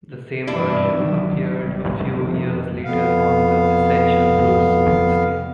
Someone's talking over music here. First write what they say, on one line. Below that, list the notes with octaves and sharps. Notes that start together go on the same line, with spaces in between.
The same version appeared a few years later on "The Essential Bruce Springsteen".
G2 E3 D4 E4
D#3 F#3
G1 G3
F2 C3 D#3
F2 B3 F5